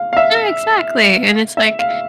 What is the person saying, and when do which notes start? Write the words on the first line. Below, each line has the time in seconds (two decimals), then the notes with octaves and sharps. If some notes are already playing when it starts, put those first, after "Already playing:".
Ah, exactly, and it's like
Already playing: F5
0.13 F5
0.17 E5
1.57 E5
1.79 F5